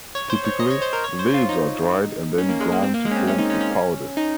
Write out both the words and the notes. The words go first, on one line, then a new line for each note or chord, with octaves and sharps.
Typically the leaves are dried and then ground to form a powder.
C#5
C5
C#5
D#5
C#5
C5
A#4
C#5
C5
F4
D#4
C#4
A#3
G#3
A#3
C4
A#3
G#3
C#4
C4
C#4
D#4
C#4
C#4
D#4